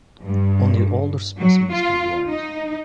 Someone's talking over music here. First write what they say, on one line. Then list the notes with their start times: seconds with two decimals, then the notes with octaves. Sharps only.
Only the older specimens can divide.
0.24 G2
1.38 F#3
1.73 F4
2.29 D#4